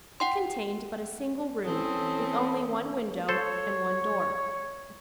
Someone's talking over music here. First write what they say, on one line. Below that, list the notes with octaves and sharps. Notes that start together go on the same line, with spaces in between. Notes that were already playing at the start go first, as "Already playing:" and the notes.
It contained but a single room, with only one window and one door.
F#5 G5 C6
E3 C4 C#4 A4 A5 D#6
A4 C5 C#5